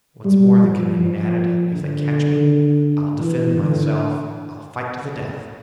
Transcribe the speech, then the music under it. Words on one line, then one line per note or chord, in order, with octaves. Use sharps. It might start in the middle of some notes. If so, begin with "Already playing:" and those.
"What's more," the Canadian added, "if they catch me, I'll defend myself, I'll fight to the death."
G3
F3
F3
D3
E3
D3